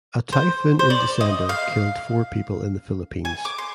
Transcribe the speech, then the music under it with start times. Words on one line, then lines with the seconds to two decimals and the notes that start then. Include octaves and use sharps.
A typhoon in December killed four people in the Philippines.
0.33 C5
0.79 C5
0.90 D5
1.21 D#5
1.49 F5
3.25 G#5
3.45 D6
3.58 C6